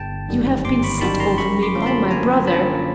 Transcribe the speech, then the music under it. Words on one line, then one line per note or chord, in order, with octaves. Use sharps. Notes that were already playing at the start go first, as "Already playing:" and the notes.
You have been set over me by my brother.
Already playing: G1 G5 A5
F#2 D#3 G3
G1 C6 D6
B5 C#6
F#2 D#3 G3 A5 B5
A#5 C6
F#2 B5 C#6
C6 D6
D3 F3 A#3 C#4
C6
A5 B5
F#2 G#5 A#5
D3 F3 A#3 C#4 A5 B5